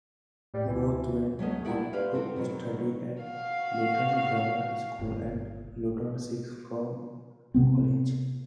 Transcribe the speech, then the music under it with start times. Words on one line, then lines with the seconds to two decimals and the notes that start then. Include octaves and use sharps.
Both went on to study at Luton Grammar School and Luton Sixth Form College.
0.54 A2 G3
0.68 D2 E3
1.39 F#3 A3 C#4 D#5
1.65 D4 E4 G4 F#5
1.93 G4 B4 C5 D5 F5
2.14 C4 F#4 A4
2.36 B2 D#3 F#3
3.23 F#4 F5
4.99 G1
7.54 C3 B3 C4